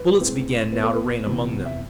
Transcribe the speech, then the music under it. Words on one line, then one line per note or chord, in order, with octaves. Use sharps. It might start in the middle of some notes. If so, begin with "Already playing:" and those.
Bullets began now to rain among them.
Already playing: B4
A2 G#3 C4
B2 B3 B4
A4
B4
C3 E3 B3
E5